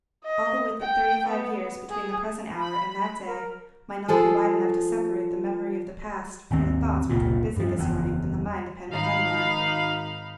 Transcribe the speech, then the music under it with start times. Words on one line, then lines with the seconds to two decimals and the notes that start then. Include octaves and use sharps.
All the width of thirty-five years between the present hour and that day might not be wide enough to separate the memory of the past from the thoughts which were busy this morning in the mind of Henry Dunbar.
0.24 D#5
0.81 G5
1.27 B3
1.90 G#4
2.57 B5
2.99 B5
3.26 A#4
4.08 F3 G#4 A4
6.51 G#1 D#2 C4
7.10 F1 C#2 A#2
7.56 G2 F3
7.79 F#1 E2
8.90 G#1 D#4 F5 B5